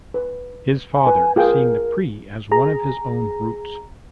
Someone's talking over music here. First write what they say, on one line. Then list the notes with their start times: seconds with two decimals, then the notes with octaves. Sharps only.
His father seeing the pre as one of his own roots.
0.14 B4
0.94 G#5
1.07 B4
1.36 F4 G#4 A#4 G5
2.52 G#4 A#5